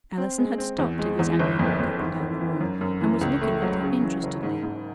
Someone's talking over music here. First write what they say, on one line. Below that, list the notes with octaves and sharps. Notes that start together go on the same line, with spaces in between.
Allison had stopped in his angry walk up and down the room, and was looking at her interestedly.
C4
G#3
C4
E2
G#3
E2
G1
F2
F2
G#1
G#1
E3
F#2
F#2
E3
C#2
A3
F#3
C#3
E3
F#1
G#2
G#2